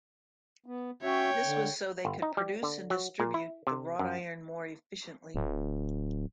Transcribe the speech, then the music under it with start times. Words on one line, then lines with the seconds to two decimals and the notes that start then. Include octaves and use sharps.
This was so they could produce and distribute the wrought iron more efficiently.
0.66 B3
1.03 C#4 F#4 C#5 E5 G5
1.43 D3
2.05 G1
2.22 D#4
2.37 G3
2.63 D3
2.90 F#3
3.20 A#2
3.34 E4
3.67 C3
3.99 F#2
5.34 D1